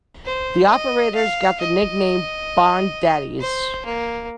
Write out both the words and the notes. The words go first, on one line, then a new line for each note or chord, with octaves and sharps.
The operators got the nickname Bond Daddies.
C5
D#5
F5
D#5
C5
A#3